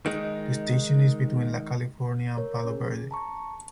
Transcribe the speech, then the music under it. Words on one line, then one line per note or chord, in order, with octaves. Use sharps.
The station is between La California and Palo Verde.
D#3 G#3 D#4
A#4 C#5
C#4 G#4
A5 A#5 C#6